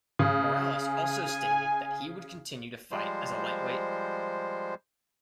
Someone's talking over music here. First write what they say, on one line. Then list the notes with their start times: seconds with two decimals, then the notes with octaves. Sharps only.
Morales also stated that he would continue to fight as a lightweight.
0.19 C#3
0.86 G#5
2.91 F3 G3 G#3 C5